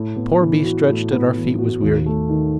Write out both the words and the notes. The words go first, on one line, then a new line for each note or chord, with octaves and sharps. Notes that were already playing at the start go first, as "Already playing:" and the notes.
The poor beast stretched at our feet was weary.
Already playing: A2
B3
E3
F#4
A2
B3
E3
F#4
D#2
A3
D#3